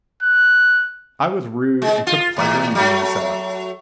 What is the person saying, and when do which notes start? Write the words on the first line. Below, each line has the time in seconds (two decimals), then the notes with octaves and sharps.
I was rude and took pleasure in being so.
0.23 F#6
1.82 G#3
2.07 F4
2.37 E2 A2
2.75 F#3 A3